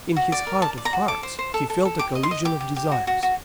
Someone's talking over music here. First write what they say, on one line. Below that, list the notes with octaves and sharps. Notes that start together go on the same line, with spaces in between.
In his heart of hearts he felt a collision of desires.
F#4
D5
A#4
D5 A5
D5
A#5
F#4
A4 D6
C5
C5
A4
A4
A4
G4 D6
D#5
C6
D#5
G4 D6
G4
G4
F#4
F#4
F#4